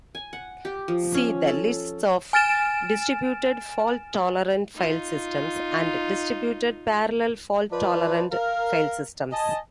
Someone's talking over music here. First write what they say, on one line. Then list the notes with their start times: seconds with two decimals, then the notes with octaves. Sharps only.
See the lists of distributed fault-tolerant file systems and distributed parallel fault-tolerant file systems.
0.15 G#5
0.33 F#5
0.65 G4
0.88 F3
1.14 C#4
1.47 A4
2.33 G#5 F6 A6 D7 E7
4.75 D#4 F4
7.72 F3 B4 C5 D5 D#5 A5
8.31 A#4 F5
9.31 D#5 G#5 A5